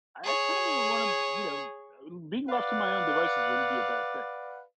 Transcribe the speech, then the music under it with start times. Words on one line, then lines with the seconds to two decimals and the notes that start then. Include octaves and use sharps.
I had kind of u wanna, you know, uh be left to my own devices wouldn't be a bad thing.
0.24 G#4 C#5
2.48 B4 D5 F5 F#5